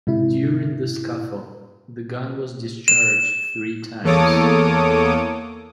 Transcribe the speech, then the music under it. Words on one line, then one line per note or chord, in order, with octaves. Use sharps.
During the scuffle, the gun was discharged three times.
G#2 C3 E4
E7
E2 A#3 A4 C#5 D6 D#6